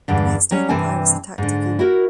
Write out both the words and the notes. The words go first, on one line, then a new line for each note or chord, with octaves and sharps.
The next day the pirates attacked again.
E2 G2 D3
F#3 G3 C#4 C#5
G2 C3 E3 C4 G#5 A5
G#2 D3
E4 F#4 A#4